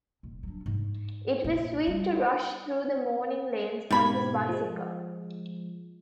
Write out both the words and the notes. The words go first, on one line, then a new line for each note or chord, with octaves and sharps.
It was sweet to rush through the morning lanes on his bicycle.
D#1
F#3 D4
G#2
A#1 F#2
G3
G#2 B2 G3 B5 G#6
F3 G#3